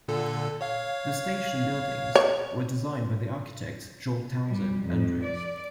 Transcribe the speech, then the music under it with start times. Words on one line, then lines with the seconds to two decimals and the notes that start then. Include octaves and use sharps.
The station buildings were designed by the architect George Townsend Andrews.
0.08 A#2 D3 A4
0.61 C#5 F5
2.15 C#5
4.47 G3
4.84 F2
5.22 D5